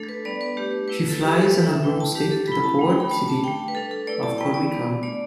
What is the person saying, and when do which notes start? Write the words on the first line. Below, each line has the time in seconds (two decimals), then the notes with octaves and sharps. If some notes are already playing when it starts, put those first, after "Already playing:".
She flies on her broomstick to the port city of Koriko.
Already playing: A3 D4 A4
0.09 B4
0.25 G3 B3 D4 D5
0.41 B4
0.57 A3 D4 G4
0.88 A3 E4 B4
0.98 B4
1.09 A4
1.21 G3 D4 G4
1.31 G4
1.41 A4
1.52 G3 D4 B4
1.69 E5
1.83 A3 E4 G5
2.00 A5
2.15 G3 D4 G4
2.31 A4
2.48 G3 E4 B5
2.64 A5
2.79 A3 D4
2.90 G5
3.00 B5
3.11 A3 D4 A5
3.28 A5
3.43 A3 D4 G5
3.68 B4
3.75 G3 D4 A4
3.91 A4
4.07 A3 E4 D5
4.23 A5
4.38 G3 B3 E4 G5
4.54 D5
4.71 G3 B3 D4
5.03 A3 D4 D5